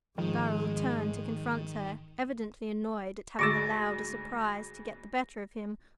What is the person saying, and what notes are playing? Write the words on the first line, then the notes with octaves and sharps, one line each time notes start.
Barold turned to confront her, evidently annoyed at having allowed a surprise to get the better of him.
G#1 D#3 F3 G#3
D2 G#2 C#6 D6 E6 A6 A#6